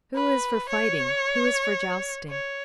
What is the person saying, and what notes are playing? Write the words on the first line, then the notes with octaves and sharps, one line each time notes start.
Who is for fighting, who is for jousting?
B4
C#5
C#5